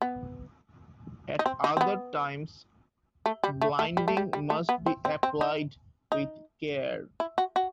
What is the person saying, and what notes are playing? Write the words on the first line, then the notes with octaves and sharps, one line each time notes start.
At other times, blinding must be applied with care.
B3
D#4
C4
D#4
C4
B3
A3
G3
A3
A3
G3
A3
G3
G3
A3
B3
C4
C4
C4
D#4
D#4
E4
F#4
F#4